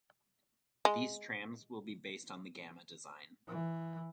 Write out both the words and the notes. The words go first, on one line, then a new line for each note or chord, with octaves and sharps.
These trams will be based on the Gamma design.
G#3
E3